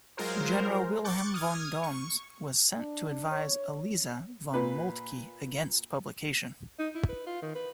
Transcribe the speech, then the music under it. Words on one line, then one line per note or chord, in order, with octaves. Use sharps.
General Wilhelm von Dommes was sent to advise Eliza von Moltke against publication.
F#3 G#3 F4 G#4 A#4 C5
C#6 D6 F#6 G6 A6 C#7
D#6 F6 G#6
C#6
D4
C#5
A#2 B4
D#4
E4
B4
F4
D#3
B4